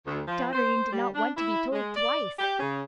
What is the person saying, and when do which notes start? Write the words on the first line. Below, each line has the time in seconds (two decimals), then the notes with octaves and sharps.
Dotterine did not want to be told twice!
0.06 D2
0.27 F3
0.53 C5
0.92 G3
1.15 D4
1.37 E4
1.72 G#3
1.96 D5
2.38 G4
2.60 C#3